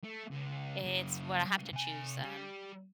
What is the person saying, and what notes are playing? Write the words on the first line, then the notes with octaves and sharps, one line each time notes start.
it's well, I have to choose, um,
A3
C#2
F#2 C#3
C3 G#5
G3